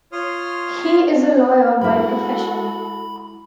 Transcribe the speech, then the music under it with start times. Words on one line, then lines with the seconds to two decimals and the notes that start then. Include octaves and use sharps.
He is a lawyer by profession.
0.12 F4 C#5 C6 D#6 F6
1.81 G#3 E4 F#4 A4 B5